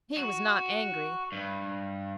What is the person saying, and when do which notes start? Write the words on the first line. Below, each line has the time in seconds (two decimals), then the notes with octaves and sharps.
He was not angry.
0.17 F#4
1.32 G2